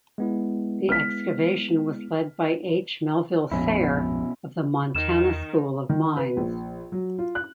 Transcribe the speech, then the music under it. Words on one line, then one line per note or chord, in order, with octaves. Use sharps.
The excavation was led by H. Melville Sayre of the Montana School of Mines.
G#3 B3 E4
F6 B6
A#1 F2 G#2 B2 C#4 E4
E2 D#3 D#4 E7
D#3
B4
A#1
F#3
F4
F#6